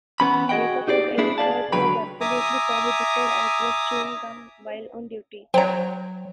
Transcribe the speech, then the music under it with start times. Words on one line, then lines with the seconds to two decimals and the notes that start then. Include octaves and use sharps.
Makeup of any sort was absolutely prohibited, as was chewing gum while on duty.
0.20 E3 B3 C#4 B5
0.49 F#4 G#4 D#5 F#5 G5
0.88 D#4 G4 G#4 D5
1.18 A#3 D4 E4 G#4
1.38 G#4 C5 D5 F5 A5
1.72 C#2 D3 F#3 B4 G5 B5
2.21 E5 G#5 A#5 D6 D#6
5.54 F#3 C5 C#5 G5 A#5